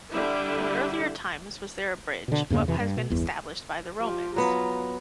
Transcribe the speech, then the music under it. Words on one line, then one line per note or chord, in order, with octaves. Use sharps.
In earlier times was there a bridge, what has been established by the Romans.
D3 G3 D4 E4
B2 D3
E2 G2 C#3 A#3
F2 C3 E3
G2
B2
G1 E2
F3 F4 G4
F#3 B3 F4 A#5